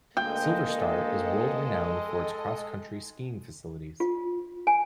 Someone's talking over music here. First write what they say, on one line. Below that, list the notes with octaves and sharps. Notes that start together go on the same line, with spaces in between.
SilverStar is world-renowned for its Cross-Country Skiing facilities.
D2 G#3 A#3 A4 D#5 G5
F4
G#5